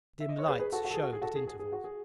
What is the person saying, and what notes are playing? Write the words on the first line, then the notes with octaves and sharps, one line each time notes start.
Dim lights showed at intervals.
E5
D#5
C#5
G#4 B4
G#4 B4
F#4 A4
F#4
A4
G#4
F#4
G#4
F#4 A4
G#4
G#4
G#4
F#4
G#4